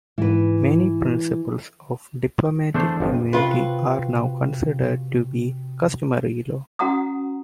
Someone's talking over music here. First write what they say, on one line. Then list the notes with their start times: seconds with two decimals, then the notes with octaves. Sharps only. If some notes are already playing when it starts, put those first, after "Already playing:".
Many principles of diplomatic immunity are now considered to be customary law.
0.18 G#2 E3 B4
2.74 E3 A3 B3 D4 G#4 C5
3.00 G1 F2
3.33 C3 F4 F#4 B4
6.79 C#4 F#4 F#5 A#5 D#6